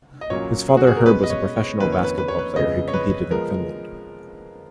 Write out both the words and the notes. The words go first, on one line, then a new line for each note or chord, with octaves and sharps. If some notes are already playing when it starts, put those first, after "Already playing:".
His father Herb was a professional basketball player who competed in Finland.
D#5
A#2 F#3 A#3 C#4 C#5
G#4
F#4
G#4
A#4
B2 G#3 C#4 B4
D#5
C#5
C#5
F2 D#3 A#3 C#4 B4
C#5
B4
B4
C#5
B4
F2 C#3 G#3 B3 D#5
C#5
B4
F3 G#3 B3 A#4